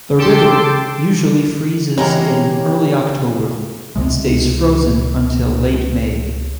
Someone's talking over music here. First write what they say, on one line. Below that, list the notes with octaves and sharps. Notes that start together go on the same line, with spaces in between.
The river usually freezes in early October and stays frozen until late May.
G4 A4 G5 A5 C6 D6
E3 G#3 G4 A#4 C#5 A#5
C#2 C3 G#3